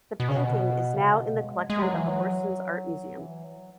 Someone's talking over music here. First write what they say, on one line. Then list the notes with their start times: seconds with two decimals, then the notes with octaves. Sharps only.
The painting is now in the collection of the Horsens Art Museum.
0.20 B2
0.29 C#3
0.37 B2
0.94 C#3
1.19 B2
1.44 G#3
1.70 G#3
1.82 F#3
1.94 E3
2.07 F#3
3.19 E3
3.44 F#3